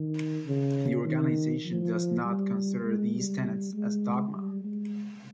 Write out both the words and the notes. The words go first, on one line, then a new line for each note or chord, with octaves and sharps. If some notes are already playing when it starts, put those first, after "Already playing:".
The organisation does not consider these tenets as dogma.
Already playing: D#3
C#3
D#3
F3
G3
G#3
G3
G#3
G3
G#3